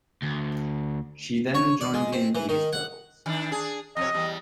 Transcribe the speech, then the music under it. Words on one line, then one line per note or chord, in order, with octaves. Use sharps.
She then joined him in his travels.
D2
C#5
D5
G#3
C4
E3
D#3
F#5
D#3 D4
D4 G#4
F2 C3 C#5 D#5
E2 G3